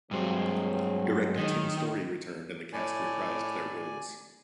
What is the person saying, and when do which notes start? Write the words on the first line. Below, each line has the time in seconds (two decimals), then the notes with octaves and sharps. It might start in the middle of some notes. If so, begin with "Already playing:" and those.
Director Tim Story returned, and the cast reprised their roles.
0.11 G2 F#3 G#3 C4
1.37 D#3
2.73 A2 D5 G#5